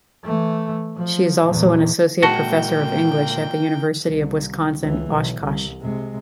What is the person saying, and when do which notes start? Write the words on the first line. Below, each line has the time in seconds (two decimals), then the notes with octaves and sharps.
She is also an Associate professor of English at the University of Wisconsin-Oshkosh.
0.24 E3 A3
0.97 F3
1.47 E2 A#2
2.23 A#2 G#3 A#3 F#4 G5 A5 C#6
4.08 C2
4.82 C#2 E3
5.12 B1
5.43 C2
5.81 C3 G#3